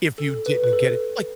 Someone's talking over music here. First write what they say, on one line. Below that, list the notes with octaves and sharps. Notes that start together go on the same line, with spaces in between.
if you didn't get it, like,
A4
B4
B4
A4